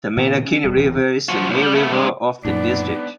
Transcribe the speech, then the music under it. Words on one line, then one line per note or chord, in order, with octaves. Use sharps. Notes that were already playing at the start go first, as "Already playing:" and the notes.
The Mandakini River is the main river of the district.
A#2 D#3 B3
C#4
D#1 G3
D1 B2 E3 C4
F3 F#4
B1 A2
G3
A3 B3
G2 G#3
F#2 A#2 B3 D4 D#4 D5